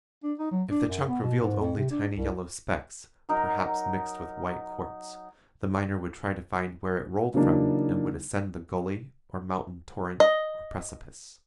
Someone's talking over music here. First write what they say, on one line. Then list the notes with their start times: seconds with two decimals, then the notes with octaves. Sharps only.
If the chunk revealed only tiny yellow specks, perhaps mixed with white quartz, the miner would try to find where it rolled from and would ascend the gully, or mountain torrent, or precipice.
0.24 D4
0.39 D#4
0.51 F#3
0.71 D4
0.88 F#2
1.08 B3
1.21 B2
1.41 G#2
1.60 F2
1.77 C3
1.91 D4
2.15 C2
3.29 F#3 D#4 A#4
7.34 C#3 E3 F#3 A#3 D4 D#4
10.20 D#5